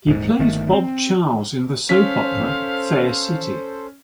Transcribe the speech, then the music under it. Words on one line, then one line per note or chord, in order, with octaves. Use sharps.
He plays Bob Charles in the soap opera "Fair City".
D#1 G#2
G1 D#3 A3
C4
C#4 A4 C5 F5 B6